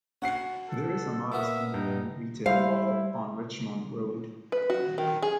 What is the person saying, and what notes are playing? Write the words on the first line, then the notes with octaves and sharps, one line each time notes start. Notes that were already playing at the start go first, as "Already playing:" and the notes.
There is a modest independent retail mall on Richmond Road.
C#4 F#4 F#5 C7
A4
A#2 B3 A#4 E5
G2 D#4
G3 E4 C5 F5
B4
F#4
D#3
G#4